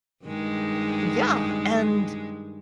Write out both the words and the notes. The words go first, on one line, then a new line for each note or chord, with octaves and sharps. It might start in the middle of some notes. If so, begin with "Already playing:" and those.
Yeah, and
G2 D#3 G#3